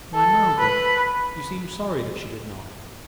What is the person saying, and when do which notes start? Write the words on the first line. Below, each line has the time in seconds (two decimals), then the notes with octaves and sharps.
Why, Margaret, you seem sorry that she did not!
0.15 A4
0.59 B4